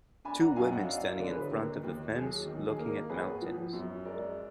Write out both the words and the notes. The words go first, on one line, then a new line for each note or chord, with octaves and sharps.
Two women standing in front of a fence looking at mountains.
D4 G#5 B5
F#5 A#5
F#2 F5 G#5
D#5 F#5
F#3 D5 F5
A#4 D5
D3
G#4 B4
D#2 A#4
D#2
F#3 G#4
D#3
G#4
A#3 A#4
G#1 G#4 B4
F3
F#2
G#3 A#4 D5